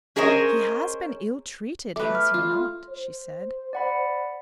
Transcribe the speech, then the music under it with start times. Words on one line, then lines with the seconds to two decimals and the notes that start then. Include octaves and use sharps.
"He has been ill-treated; has he not?" she said.
0.16 C#4 G#4 A#4 C5 C#5 D#5
1.96 A3 B4 D6
2.15 F6
2.34 F4
2.90 C5
3.73 D5 F#5 B5